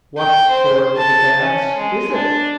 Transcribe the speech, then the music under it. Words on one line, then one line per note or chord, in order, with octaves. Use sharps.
'What sort of a dance is it?'
G5
C5
A5
C#4
G#3
D4